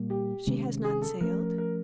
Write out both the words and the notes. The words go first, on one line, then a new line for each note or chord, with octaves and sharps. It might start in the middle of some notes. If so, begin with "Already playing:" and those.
"She has not sailed?"
Already playing: A#2 G3 A#3
G4
C3 D#3 G#3 C#4
G#4
A4
F3 A3 C#4 A#4
A#4
A#4